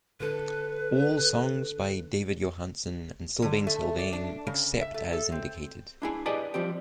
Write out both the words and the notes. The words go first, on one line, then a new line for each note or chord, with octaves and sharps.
All songs by David Johansen and Sylvain Sylvain except as indicated.
D3 A4 B4
D3
A3
D5
D4
C#3
E5
A3
A4
C4
D4 E4 G#4
G4 G#4 B4 D5 D#5 A5
F3 G3 C4 G4